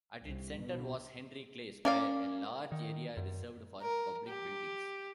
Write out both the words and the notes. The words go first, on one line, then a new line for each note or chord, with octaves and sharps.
At its center was Henry Clay Square, a large area reserved for public buildings.
C2
B2
A#3 C#4 D5 F5
D#3
F#2
A#4
G4